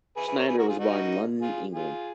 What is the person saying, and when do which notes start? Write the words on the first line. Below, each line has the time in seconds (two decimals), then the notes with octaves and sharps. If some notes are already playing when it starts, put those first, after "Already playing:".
Schneider was born in London, England.
0.16 G#4 B4
0.27 G#4 B4
0.37 A#4 C#5
0.48 G#4 B4
0.58 F#4 A#4
0.68 F4 G#4
0.79 D#4 F#4
1.41 F4 G#4
1.72 F4 G#4